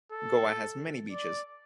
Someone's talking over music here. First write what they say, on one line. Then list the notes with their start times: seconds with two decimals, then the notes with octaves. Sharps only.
Goa has many beaches.
0.12 A4
1.12 D5